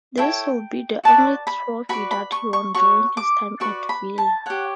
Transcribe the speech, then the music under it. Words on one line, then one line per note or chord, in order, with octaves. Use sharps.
This would be the only trophy that he won during his time at Villa.
E4 A4 C#5 G5
F#4 B4 D5 A5
B5
F#4 B4 D5 B5
B5
C#6
C#6
F#4 C#5 C#6
D6
F#4 B4 D5 C#6
B5
A5
G4 C#5 F#5